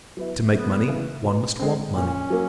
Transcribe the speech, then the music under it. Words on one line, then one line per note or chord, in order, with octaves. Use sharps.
To make money one must want money.
F#3 B3 E4
F#2 B3
C#3 E3
B2
G#3 C4
A#2 C#4
F#3 A#3